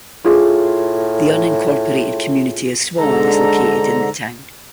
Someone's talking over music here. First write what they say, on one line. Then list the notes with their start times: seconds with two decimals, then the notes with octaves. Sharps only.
The unincorporated community of Swan is located in the town.
0.25 A2 F4 G#4
2.98 G#2 D3 A4 A#5